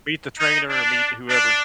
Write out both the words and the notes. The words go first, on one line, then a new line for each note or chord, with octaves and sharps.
Meet the trainer or meet whoever.
D#4
D4
D4